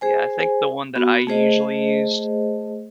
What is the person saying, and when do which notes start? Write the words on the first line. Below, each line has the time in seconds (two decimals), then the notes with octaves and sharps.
Yeah. I think the one that I usually used,
0.01 G#4 C5 G#5
0.96 B3 F#4
1.27 A3 G#4 C5 D#5